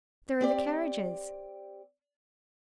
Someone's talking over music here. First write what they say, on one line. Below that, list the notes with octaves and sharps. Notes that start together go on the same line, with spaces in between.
'There are the carriages.'
C4 G4 D5